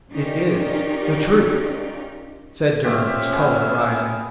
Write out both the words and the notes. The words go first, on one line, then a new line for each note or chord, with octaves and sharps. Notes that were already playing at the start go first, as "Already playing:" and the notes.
"It is the truth," said Durham, his color rising.
C#4 D#4 F4 G4 A#4 D5
A3 A#3 C#4 F4 G4 C5 E5 F6
B3 G4 G#4